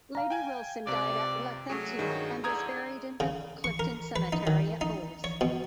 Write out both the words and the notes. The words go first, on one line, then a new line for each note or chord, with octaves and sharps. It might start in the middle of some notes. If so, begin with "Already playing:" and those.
Lady Wilson died at Lethenty and is buried in the Clifton Cemetery at Bulls.
F5 A#5
G5 G#5 G#6
C#2 C3 D5
F#3 A3 C#4 G#4
G2 D#3 G#4
E2 D3 A#5 D#6 G#6
C#3
C#6
A#4
B4
D#4
D#3
D#4
C#5
B2